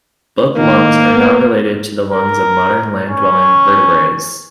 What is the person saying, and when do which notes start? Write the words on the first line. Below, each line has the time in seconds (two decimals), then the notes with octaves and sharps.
Book lungs are not related to the lungs of modern land-dwelling vertebrates.
0.57 D#3 A#3
1.14 B3
2.12 A#4
3.09 C#4